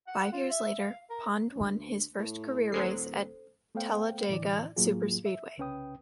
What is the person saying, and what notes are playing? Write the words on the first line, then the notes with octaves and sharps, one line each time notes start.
Five years later, Pond won his first career race at Talladega Superspeedway.
F#5
F4
E5
F5
A#4
D2
A2
D#1 F#3 G#3 A4 C5 C7
A3 B3 A4 C5 F5 G5
A2 D3 E3 D5
A2 F#3 A#3 F4 G#4
E5
C2 C#3 C#4 B4 G5 D#6